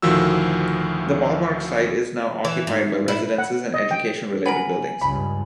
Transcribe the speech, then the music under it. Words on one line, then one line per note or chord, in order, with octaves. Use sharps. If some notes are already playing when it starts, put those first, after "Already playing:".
The ballpark site is now occupied by residences and education-related buildings.
D2 A2 D#3 F3 F#4 E6
E3
G#2
E4
F#5
D#5
G5
B3 A#4 G#5 F#7
C#2 G2 B5